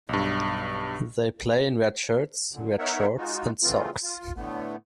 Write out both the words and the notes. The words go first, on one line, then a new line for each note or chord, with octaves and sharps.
They play in red shirts, red shorts and socks.
B1 G2
F#2 A#2 D3
B3 D#4 A#4 C#5 E5 F#5
G#3 D#4 F4 F#4
C#3 E3 A3 B3 C4 F4
F4
A2 D3 A3 B3